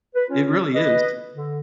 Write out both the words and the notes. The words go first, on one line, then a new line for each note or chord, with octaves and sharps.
It really is.
B4
C#4 F4 C#5
B4 D#5
D3